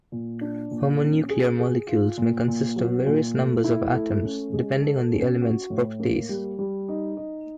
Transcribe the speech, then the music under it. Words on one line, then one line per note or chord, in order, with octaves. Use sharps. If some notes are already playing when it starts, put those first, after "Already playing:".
Homonuclear molecules may consist of various numbers of atoms, depending on the element's properties.
A#2
D4
A#2
C#4
G#4
G#4
F4
A#2
A#2
F#3
A#2
A3
E4
A3
C#4
G#3
A4
C#4
F#4
A2
A#3
G3
G3
D#4
D#4